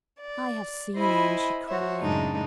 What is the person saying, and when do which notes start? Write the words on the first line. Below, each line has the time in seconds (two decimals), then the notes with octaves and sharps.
"I have seen him!" she cried.
0.20 D5
0.95 E4 C5 D#5 E5 G#5 B5
1.68 F#4 C5 C#5 E5
2.00 F#2 A2 C#3 G#3 D4 D#4